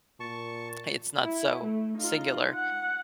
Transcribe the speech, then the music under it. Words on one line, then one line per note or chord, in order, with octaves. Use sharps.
It's not so singular.
A#2 A5 C#6
E4
A3
D#4 F4
F#5